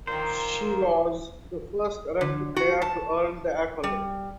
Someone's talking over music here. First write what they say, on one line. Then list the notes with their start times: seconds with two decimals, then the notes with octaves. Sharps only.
She was the first rugby player to earn the accolade.
0.07 A#2 D#3 A#4 C5
2.21 D3
2.56 F#4
2.82 A5
3.84 G3